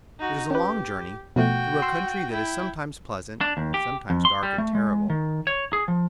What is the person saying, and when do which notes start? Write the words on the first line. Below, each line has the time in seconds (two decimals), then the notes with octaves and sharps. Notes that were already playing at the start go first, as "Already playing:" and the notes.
It is a long journey, through a country that is sometimes pleasant and sometimes dark and terrible.
0.19 D#4 F#4
0.51 C#4 G4 B4
1.36 B2 F3 A3 F#4 G5
1.82 C6 E6 C7
2.32 E4 G5
3.41 D4
3.57 D#2
3.74 G4
4.10 F2
4.25 C6
4.43 G3
4.58 A3
4.75 G#3
5.10 D#3
5.47 C#5
5.73 G#4
5.88 F3